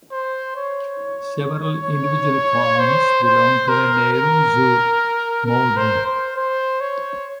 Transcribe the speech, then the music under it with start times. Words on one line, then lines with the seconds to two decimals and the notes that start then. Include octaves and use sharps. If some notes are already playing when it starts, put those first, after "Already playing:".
Several individual farms belong to the Neyruz-sur-Moudon.
0.12 C5
0.57 C#5
2.79 C5
3.24 C5
3.69 A#4
4.13 A#4
5.46 A#4
5.77 C5
6.06 C5
6.36 C5
6.81 C#5